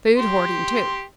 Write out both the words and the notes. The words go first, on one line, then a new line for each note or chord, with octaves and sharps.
Food hoarding, too.
G4 C6